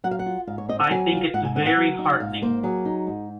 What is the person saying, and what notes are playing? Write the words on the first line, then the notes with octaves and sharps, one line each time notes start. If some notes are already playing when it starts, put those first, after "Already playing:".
I think it's very heartening.
F#3 F#5
F5
F#5
F4
G#2 F5
C#5
C4 D#5
F5
F#3 G#5
F4
G#2 F#5
G#5
C4 F#5
F#5
F#3
D#4
G#2 F5
A#3 C5
F#3 G#4
D#4
G#2